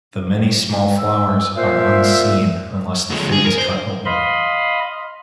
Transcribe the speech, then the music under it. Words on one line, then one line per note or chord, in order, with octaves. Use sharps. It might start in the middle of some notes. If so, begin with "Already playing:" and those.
The many small flowers are unseen unless the fig is cut open.
E6
A#2 C5 E5
D3 G#3
G#4
A#4
C5
D#5 F5 B5 C6